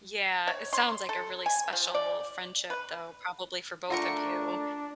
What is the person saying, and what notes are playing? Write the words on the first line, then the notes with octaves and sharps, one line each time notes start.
Yeah. It sounds like a really special friendship, though, probably for both of you.
C#5
C6
A4
G#5
F3
D5
B4
A3 D4 F4 A#4 F5 F#5 C#6